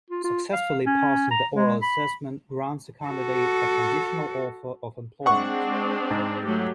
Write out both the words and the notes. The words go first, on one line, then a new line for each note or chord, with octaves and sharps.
Successfully passing the oral assessment grants a candidate a conditional offer of employment.
F4
F4
F5
C#4
A#5
G#3
B5
F#4 A4
G#3 C4 D4 F#5 C#6
G#2
F#3 A3 G4